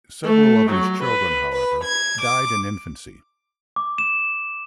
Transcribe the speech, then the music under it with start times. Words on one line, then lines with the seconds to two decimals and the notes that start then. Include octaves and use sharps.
Several of these children, however, died in infancy.
0.25 A3
0.69 F#3
1.02 B4
1.52 B4
1.82 G#6
2.21 D6
3.76 D6
3.98 E7